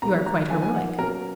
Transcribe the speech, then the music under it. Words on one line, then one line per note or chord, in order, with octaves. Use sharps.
"You are quite heroic."
B2 A#3 D#4 A#5
A#5
F3 A#3 D#4 G#5
G#5
F#5
B2 F#3 A#3 C#4 A#4